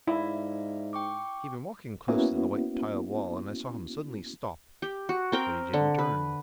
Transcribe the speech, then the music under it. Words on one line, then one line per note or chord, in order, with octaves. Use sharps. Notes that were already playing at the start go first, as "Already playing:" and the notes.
He'd been walking close to the white-tiled wall, and I saw him suddenly stop; but he didn't turn.
G#2 E4 D5 E5 F5
G5 C#6 D6
A#3 B3 C#4 E4 F#4
G4
F#4
C4 A#4 G5
D3
B4